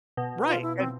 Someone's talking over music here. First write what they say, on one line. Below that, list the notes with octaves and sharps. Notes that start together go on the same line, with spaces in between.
Right, and
B2
F4
E4
C4